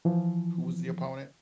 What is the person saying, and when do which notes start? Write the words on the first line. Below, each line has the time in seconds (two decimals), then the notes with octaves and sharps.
who was the opponent?
0.05 E3 F3